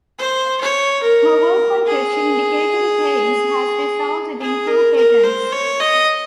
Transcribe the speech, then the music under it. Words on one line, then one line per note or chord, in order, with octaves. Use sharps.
Her work on pressure indicating paints has resulted in two patents.
C5
C#5
A#4
G#4
G#4
A#4
A#4
C5
C#5
D#5